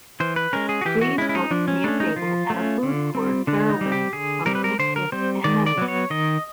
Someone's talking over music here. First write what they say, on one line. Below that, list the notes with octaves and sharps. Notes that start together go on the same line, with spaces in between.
Please book me a table at a food court faraway from Saint Kitts and Nevis.
E3 C5
B4
G#3 C#4 A#4
G#4
F#4
E3 G4
F#4
G#3 C#4 E4
E4
D#4
F3 D4
C#4
A3 C#4 D4
D#4
F3 F4
A3 C#4
D3
G3 C4
D3 D4
D#4
G3 C4
G4
D3 G#4
G3 C4 A#4
B4
A#4
D3 C5
A#4
G3 C4 C5
D#3 D5
D5
F#3 B3
C#5
D#3 D#5